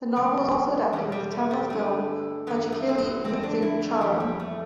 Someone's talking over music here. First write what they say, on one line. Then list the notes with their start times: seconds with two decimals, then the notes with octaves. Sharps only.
The novel was also adapted as the Tamil film Pachaikili Muthucharam.
0.16 F2 C3 G3
0.93 E2 B2 G3
1.12 G3
1.32 A3
1.51 G3
1.70 G2 D3 A3
2.47 G2 E3 B3
2.72 A3
2.89 C4
2.98 B3
3.24 F2 D3 C4
3.43 D4
3.62 E4
3.82 A3
4.01 F2 E3 G3
4.20 G3
4.40 A3